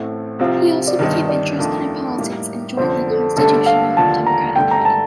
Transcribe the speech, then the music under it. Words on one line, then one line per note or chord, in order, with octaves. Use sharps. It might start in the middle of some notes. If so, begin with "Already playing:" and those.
He also became interested in politics, and joined the Constitutional Democratic party.
Already playing: A1 A2 A3 C4
C2 C3 F3 C4 F4
D5
G1 G2 D#3 D#5
D5
F2 D#3 A3 D4 F4
A2 G3 A#3 D#4 G4
G1 F2 D3 C5
A4
G1 G2 D3 A3 D4 A4
F5
D#2 D3 F3 A5
A#5
G2 D3 A3 G5
A#5
A5